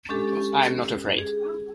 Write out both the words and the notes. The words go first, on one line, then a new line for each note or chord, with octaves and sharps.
I am not afraid.
G#3 C#4 D4 G4 A4
G#4